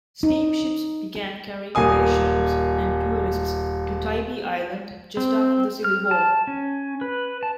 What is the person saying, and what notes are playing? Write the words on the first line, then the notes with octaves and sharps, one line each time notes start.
Steamships began carrying patients and tourists to Tybee Island just after the Civil War.
D#4
D#1 A#3 G#5 D#6
C4
F6
A5
C#4
B4
A5